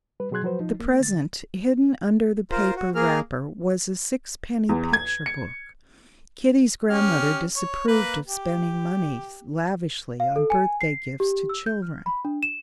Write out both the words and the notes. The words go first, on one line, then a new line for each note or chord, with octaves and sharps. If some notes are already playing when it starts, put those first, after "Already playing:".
The present hidden under the paper wrapper was a sixpenny picture-book. Kitty's grandmother disapproved of spending money lavishly on birthday gifts to children.
G3 B4
B2 F#3 G#4 C6 F#6 G#6
F3 F#3 F#4 B4 C5
F3 D#4
A#3
D3 A6
F4 A#4 C5
F#4
A#3 G#4 A#4 F6
E2
G#6
C#7
C#4 G4 F6
C#5
A#3 B4
G4
F5
A4
G#5
C7
G4
E6
G6
F6
B5
D4
E7